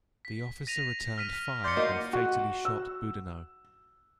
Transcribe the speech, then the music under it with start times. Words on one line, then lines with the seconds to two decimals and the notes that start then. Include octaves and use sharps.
The officer returned fire and fatally shot Boudinot.
0.25 B6
0.67 A#6 D#7 F7
1.18 F6 B6 D#7
1.64 D5 C6 G6 C#7
1.77 F#3 A#3 D#4
2.13 F#4
2.65 E6